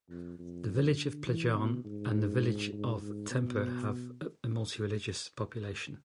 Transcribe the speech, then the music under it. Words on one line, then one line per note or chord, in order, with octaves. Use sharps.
The village of Plajan and The village of Tempur has a multi-religious population.
F2
F2
D3
E3
B2
G#2
G#2
G#2
B2